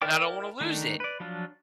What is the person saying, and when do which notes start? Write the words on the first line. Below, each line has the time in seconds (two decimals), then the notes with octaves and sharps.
and I don't wanna lose it."
0.02 E4 A#4 D5 G5 D6
0.60 D#3 A3 D4 D#4
1.00 B4 D5
1.20 F3 F#3 D4 F4